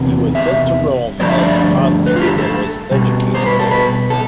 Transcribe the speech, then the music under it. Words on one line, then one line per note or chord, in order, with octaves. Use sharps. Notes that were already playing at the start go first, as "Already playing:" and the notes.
He was sent to Rome as a hostage and was educated there.
Already playing: E2 C3
E5
G2 D3 F3 A3 D5
E5
D5
B4
F4
G4
A4
A4
B2 G3
C5
B4
A4
B4
A4